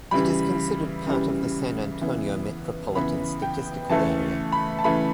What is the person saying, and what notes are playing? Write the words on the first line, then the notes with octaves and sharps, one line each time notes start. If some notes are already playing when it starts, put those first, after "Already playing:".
It is considered part of the San Antonio Metropolitan Statistical Area.
C#3 E3 G3 B5
C#3 E3 G3
C#3 E3 B3
C#3 E3 B3 B5
G5
C#3 E3 A3 A5
B5
A5
C#3 E3 A3 B5